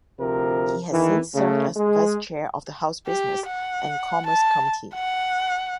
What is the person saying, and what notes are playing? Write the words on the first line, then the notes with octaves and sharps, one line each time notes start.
He has since served as vice chair of the House Business and Commerce Committee.
D2 C3 F3 A#4
E2 D#3 E3
C#3 A3
G#3
G4
F#5
A5
F#5